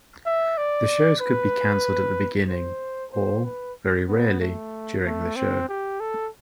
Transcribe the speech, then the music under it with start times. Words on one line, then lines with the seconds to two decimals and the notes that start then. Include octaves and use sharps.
The shows could be canceled at the beginning or, very rarely, during the show.
0.26 E5
0.58 D5
1.21 B4
2.48 C5
3.13 C5
3.44 B4
4.08 B3
4.41 A3
5.05 A3
5.36 C4
5.69 G4
6.00 A4